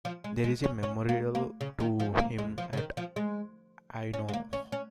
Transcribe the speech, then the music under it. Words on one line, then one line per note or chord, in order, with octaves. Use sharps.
There is a memorial to him at Aynho.
F3
G#3
G#3
C#4
C#4
A#3
A#3
C#3
D#3
F3
A#3
G#3
F3
C#3
D#3
F3
G#3
C#4
G#3
A#3
C#4
C#4